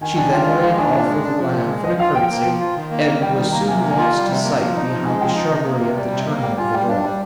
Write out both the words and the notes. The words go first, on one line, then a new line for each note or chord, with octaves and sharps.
She then ran off with a laugh and a courtesy, and was soon lost to sight behind the shrubbery at the turning of the walk.
D#3 G#5
D4 G#5
F4 G5
F5
G#3 D#5
D#3 F5
D4 G#5
A#2
G#3
D4
F3
A#2
G#3
F3 D#5
F4 F5
F3 G5
A#3
F3
F4
D#3
A#3
D#3
G3 G5
D#3
A#3 A#5
C3 G#5
A#3
G#5
F4
G3
C3
A#3
F3
D#4
F3
G#3 G#5
F3 G5
D#4 D#5
C3
A#3
C3
G3 D5
C3
D#5
A#3
G3 G5
F4 G#5
G3 G5
D4 F5
G3